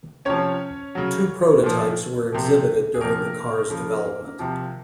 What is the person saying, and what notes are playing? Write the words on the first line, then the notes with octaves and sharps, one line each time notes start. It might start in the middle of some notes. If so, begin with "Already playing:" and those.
Two prototypes were exhibited during the car's development.
C3 F3 C#4 C#5
C#3 F#3
A#2 F3
C3 F3
G#4
C3 F3 A#3 A#4
C#3 F3
C3 F3